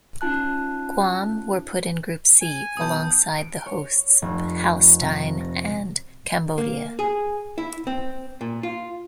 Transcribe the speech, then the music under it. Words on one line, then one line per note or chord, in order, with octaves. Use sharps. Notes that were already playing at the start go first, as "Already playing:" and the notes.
Guam were put in Group C alongside the hosts, Palestine and Cambodia.
C#4 D#4 F4 A5 F#6
G#5
B1 A5 D#6 G6
D7
C#5
F1
C3
A#6
A#3
G#4
E4
C4
A#2
F4